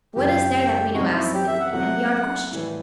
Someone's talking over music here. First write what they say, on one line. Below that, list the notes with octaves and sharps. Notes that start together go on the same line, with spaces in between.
What is there that we know absolutely, and beyond question?
F#1 F#2 F#3 G4
C2 C3 F#3 C4 D#4 F#4
E4
G4
E5
F#5
C2 C3 F#3 A3 F#5
A2 E3 G3